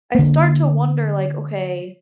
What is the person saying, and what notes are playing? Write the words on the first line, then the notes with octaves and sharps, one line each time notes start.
I start to wonder like, “Okay“
D3 A#3